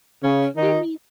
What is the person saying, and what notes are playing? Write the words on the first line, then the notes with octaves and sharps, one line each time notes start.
He need
C#3 C#4
D#3 D#4